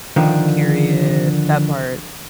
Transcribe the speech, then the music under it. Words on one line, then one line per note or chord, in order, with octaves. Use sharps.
Period, that part.
D3 D#3 F3